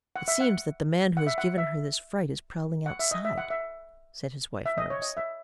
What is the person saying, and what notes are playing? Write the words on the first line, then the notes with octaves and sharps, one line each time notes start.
"It seems that the man who has given her this fright is prowling outside," said his wife nervously.
F#5
E5
F#5
F#5
E5
F#5
E5
F#5
E5
D#5
E5
F#5
E5
E5
D#5
C#5
D#5
E5